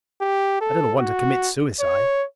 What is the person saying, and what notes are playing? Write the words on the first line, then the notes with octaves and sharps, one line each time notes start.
"I do not want to commit suicide."
G4
A4
F#4
C#5